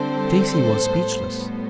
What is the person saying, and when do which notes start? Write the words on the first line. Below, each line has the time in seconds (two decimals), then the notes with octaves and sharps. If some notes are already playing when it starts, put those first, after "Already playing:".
Stacy was speechless.
Already playing: D3 G3 C4 A4 C5
0.86 A2 G3 B3